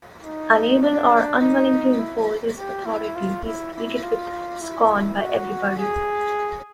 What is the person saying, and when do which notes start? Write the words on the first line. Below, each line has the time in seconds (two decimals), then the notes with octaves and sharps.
Unable or unwilling to impose his authority, he is treated with scorn by everybody.
0.23 D#4
0.82 D4
1.40 D#4
1.99 E4
2.58 G4
2.86 E4
3.15 F4
3.45 E4
3.74 E4
4.04 F4
4.62 E4
5.20 F#4
5.78 G#4